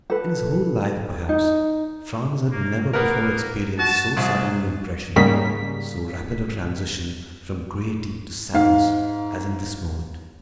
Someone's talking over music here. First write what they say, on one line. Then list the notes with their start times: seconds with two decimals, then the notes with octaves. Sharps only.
In his whole life, perhaps, Franz had never before experienced so sudden an impression, so rapid a transition from gayety to sadness, as in this moment.
0.10 A4 B4
1.29 D#4
2.52 A#3
2.93 A#3 B3 A#4
3.79 F#4 A5
4.17 C2 G#4
5.16 G#2 C#3 G3 A#3 B6
8.54 G#2 F5